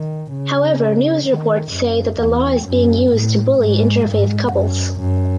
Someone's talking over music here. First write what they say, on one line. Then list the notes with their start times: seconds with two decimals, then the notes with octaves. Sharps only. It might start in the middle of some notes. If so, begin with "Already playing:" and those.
However news reports say that the law is being used to bully interfaith couples.
Already playing: D#3
0.33 C#3
1.27 D#3
1.73 F#2
2.20 E2
2.66 F#2
3.13 A2
3.60 G#2
4.07 G#2
4.53 F#2
5.00 F#2